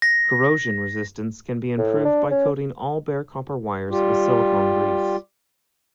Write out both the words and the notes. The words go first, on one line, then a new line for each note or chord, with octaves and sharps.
Corrosion resistance can be improved by coating all bare copper wires with silicone grease.
A#6
A2
D4
C#4
G3 F4 G4